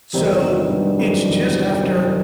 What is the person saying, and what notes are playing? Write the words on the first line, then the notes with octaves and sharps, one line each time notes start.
So, it's just after
E2 C3 D#3 G3 C4 D#4
G2
G2
F#2 C3 D#3 G3 C4 D#4
E2
F#2
F#2 C3 D#3 G3 C4 D#4